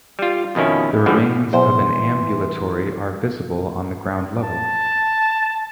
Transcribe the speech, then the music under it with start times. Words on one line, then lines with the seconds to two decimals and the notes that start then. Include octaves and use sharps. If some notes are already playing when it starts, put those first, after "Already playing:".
The remains of an ambulatory are visible on the ground level.
0.19 G3 F4
0.55 F2 B2 D#3 C#4 E4
1.06 F#2 A2 D3 E3 F3 G3
1.53 E2 B2 E3 F#3 B3 C5
4.44 A5